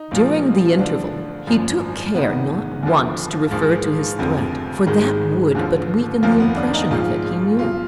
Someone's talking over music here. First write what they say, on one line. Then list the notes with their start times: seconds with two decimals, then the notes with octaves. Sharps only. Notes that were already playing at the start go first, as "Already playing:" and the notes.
During the interval, he took care not once to refer to his threat, for that would but weaken the impression of it, he knew.
Already playing: D#4
0.11 A#1 A#2 F3
0.79 D2 D3 F3 D4
1.47 G#1 F#2 F3
2.15 G#1 G#2 D#3 B3
2.83 D#2 D3 F3
3.51 A#1 G#2 F3 G#3
4.19 F1 F2 D3 F3
4.87 G#1 G#2 D#3 G#3
5.55 D#2 D3 F3
6.23 F1 D#2 D3 F3 A#3
6.40 B3
6.56 D4
6.74 D#4
6.91 A#1 G#2 F3 F4
7.59 B1 B2 F4